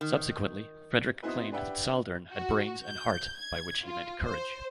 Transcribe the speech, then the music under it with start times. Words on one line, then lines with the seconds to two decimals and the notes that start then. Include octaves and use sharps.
Subsequently, Frederick claimed that Saldern had brains and heart, by which he meant courage.
0.01 D#3
1.23 B3 C4 D#4 E4 F#4 B4
1.52 D4 G4 B4 E5 F#5 G5
2.33 F#4
2.86 G6
3.36 G#6
3.84 F4
4.24 C5